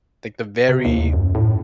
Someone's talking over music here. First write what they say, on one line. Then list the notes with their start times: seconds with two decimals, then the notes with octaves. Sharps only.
like, the very
0.69 C3
0.85 D#2
1.13 F#2
1.35 A2